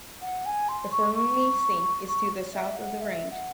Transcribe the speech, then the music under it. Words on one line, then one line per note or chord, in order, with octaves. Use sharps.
The Fernley Sink is to the south of the range.
F#5
G#5
C6
C#6
C#6
C#6
E5
F#5
E5
F#5